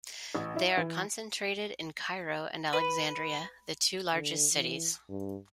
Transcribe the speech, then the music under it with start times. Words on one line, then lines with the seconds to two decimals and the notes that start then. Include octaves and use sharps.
They are concentrated in Cairo and Alexandria, the two largest cities.
0.35 A1
0.56 E4
0.77 E3
2.73 B4
4.13 D3
4.53 E3
5.09 G2